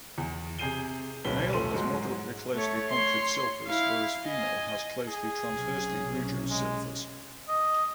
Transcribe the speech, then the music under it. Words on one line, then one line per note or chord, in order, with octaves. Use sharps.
Male has moderately closely punctured clypeus whereas female has closely transversely rugose clypeus.
E2
C3 G#4 G6 C7 D#7 G7
D1 B1 C#4 B4 B6 G7
D#1 F3 A3 A4 C6 D#7
G#2 F#3 G#3
A3 C#5
C#5 C6
E4 F5
D#5 G#5
G#4
B1 C3 C#4
G#3
D#5